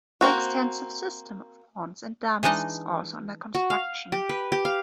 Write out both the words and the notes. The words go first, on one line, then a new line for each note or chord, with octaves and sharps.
An extensive system of ponds and dams is also under construction.
A#3 C4 F#4
E3 G#3 D4 D#4 D#5
F#4
F5
G4
B4
G4
F5